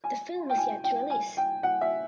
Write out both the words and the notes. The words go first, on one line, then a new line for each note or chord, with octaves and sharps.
The film is yet to release.
G#5
G5
G#5
G5
G#5
G5
F#5
E5